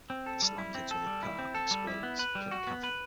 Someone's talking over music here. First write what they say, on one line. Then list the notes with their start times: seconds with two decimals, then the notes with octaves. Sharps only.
It slams into another car and explodes, killing Kathryn.
0.10 C4
0.26 A4
0.42 G3
0.58 E4
0.75 C4
0.91 A4
1.07 G3
1.23 E4
1.39 C4
1.55 A4
1.71 G3
1.87 E4
2.03 B3
2.19 B4
2.35 G3
2.51 F#4
2.67 B3
2.83 B4